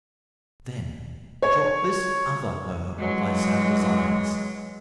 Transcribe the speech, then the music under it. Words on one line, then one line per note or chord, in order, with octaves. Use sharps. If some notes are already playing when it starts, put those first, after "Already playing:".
Then drop this other herb on Lysander's eyes.
C#5
E3 F#3 G#3